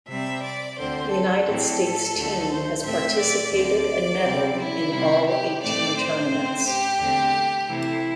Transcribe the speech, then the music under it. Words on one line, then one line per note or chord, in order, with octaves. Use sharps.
The United States team has participated and medaled in all eighteen tournaments.
C3 G3 C4 E5
D5
D2 D3 C4 C5
A4
A2 E3 C4 A4
D2 D3 A3
C5
A2 A3 C4 E5
D5
D2 D3 C4 D5
C3 G3 C4
E4
C3 G3 C4
G4
A2 E3 A3 C4 D5
C5
A2 A3 C4
G4
E2 D3 A3 C4
C3 E3 A3 E4